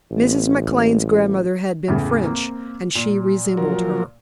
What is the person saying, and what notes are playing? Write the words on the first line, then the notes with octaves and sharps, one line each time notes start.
Mrs. McLane's grandmother had been French and she resembled her.
A1
E2 A2 C#3
A#3 C4
A#2
F3 F#3 A#4